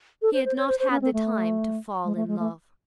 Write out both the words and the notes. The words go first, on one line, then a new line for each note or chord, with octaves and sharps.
He had not had the time to fall in love.
A4
C5
C5
C#5
C5
C5
C#4
C4
A3
G#3
A3
G#3
A3